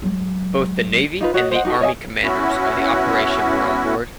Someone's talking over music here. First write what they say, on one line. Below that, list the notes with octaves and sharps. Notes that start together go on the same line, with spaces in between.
Both the navy and the army commanders of the operation were on board.
F#3 G#3
D#4 F4 B4
F#4 C#5 D#5 F#5
C5 D#5 F#5
D#4 F#4 G4 A4
C#5 D#5 E5 G#5
B3 C#4 E4 F#4